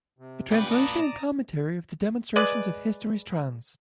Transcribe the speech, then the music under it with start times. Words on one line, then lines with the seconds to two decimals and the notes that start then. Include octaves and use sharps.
A Translation and Commentary of the Demonstrations of Histories, trans.
0.19 C3
0.51 A#2 B3 D4 G4 B4
0.70 D5 A5 A#5 D#6
2.36 G#3 B4 D5